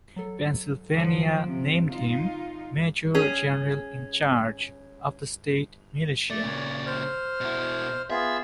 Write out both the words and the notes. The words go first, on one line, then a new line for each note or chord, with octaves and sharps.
Pennsylvania named him major general in charge of the state militia.
F#3 A4
D3 F3 F#3 D7
C3
D#4 F4
C#4 G#4
A3 D5
A#2 C#3
C5 F6
B2 E4
B3 F4 G#4 E5